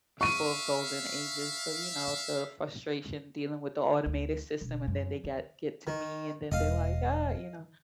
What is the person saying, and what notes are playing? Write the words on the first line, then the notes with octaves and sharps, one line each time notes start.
People of golden ages, so, you know, the frustration dealing with the automated system and then they got get to me and then they're, like, "Ah," you know,
E5 F5 C#6 D#7
D2
E1
F#2
D#2
D#3
E1 D#5 F5